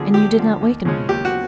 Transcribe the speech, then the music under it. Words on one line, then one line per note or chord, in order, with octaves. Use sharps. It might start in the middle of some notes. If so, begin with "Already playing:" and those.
"And you did not awaken me?"
Already playing: D2 D3 F3 G#4
D2 G4
D3 F3
D#2
C#3 F3 G#3 C#4
D#2 G4
F#4